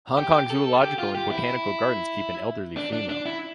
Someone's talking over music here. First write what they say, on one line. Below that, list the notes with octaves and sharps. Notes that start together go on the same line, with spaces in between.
Hong Kong Zoological and Botanical Gardens keep an elderly female.
G4
A4
G4
F4
G4
E4
D4
D4
D4
E4